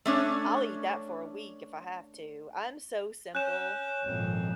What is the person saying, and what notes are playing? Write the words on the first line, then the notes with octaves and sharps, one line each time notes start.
I'll eat that for a week if I have to. I'm so simple,
A3 C#4 D4 C#5
C#4 F#6 G6 E7
G#1 F2 A#2 F3